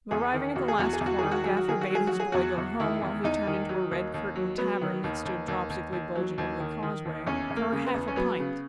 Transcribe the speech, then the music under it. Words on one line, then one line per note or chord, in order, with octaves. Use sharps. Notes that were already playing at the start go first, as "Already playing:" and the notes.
But, arriving at the last corner, Gaffer bade his boy go home while he turned into a red-curtained tavern, that stood dropsically bulging over the causeway, 'for a half-a-pint.'
E2 G#4
D#3
E2 F#4
G#4
E2 F#4
G#4
E2
F#4
D#3 G#4
F#4
F#3 G#4
F#4
D#3 G#4
F#4
F#3 G#4
F#4
F#3
G#4
E2 F#4
E2
D#3 E4
E2
E2 D#4
D#3
F#3
D#2
D#2
F#3
F#3 B3
D#3
D#2
D#2
D#2
D#2
D#2
F#3
D#2
D#3
D#3
D#2
E2 C#4
E2
A#3
C#3
B3
E2
C#4
F#3 B3
C#3